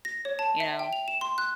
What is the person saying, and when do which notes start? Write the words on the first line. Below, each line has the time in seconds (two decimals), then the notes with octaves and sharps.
you know?
0.05 A#6
0.25 C#5
0.39 A5
0.60 E5
0.79 G5
0.93 F7
1.08 E7
1.21 C6
1.38 F#6